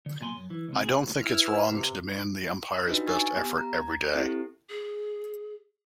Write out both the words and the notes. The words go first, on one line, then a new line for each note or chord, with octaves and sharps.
I don't think it's wrong to demand the umpires' best effort every day.
D3
B1 A#2 G#5 B5 C6
F#2
E3
C#2 C3
G#4
E4 B4 E6 F6
C3
D4 D#4 F4 F#4 B4 D#5
G#5 C#6 E6 G#6 A6
B3 G4
A#5
G#6
C4 E4 G4 A4
G#4